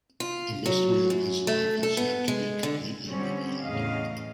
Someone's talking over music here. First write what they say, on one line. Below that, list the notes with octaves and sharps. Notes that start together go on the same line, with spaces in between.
The mystery of his life has yet to be completely revealed.
F4
F#3
F#2
A3
A4
B3
G#3
D3
B2 D3 G3 C4 C#4
E2 A2 C#3 D#5 F5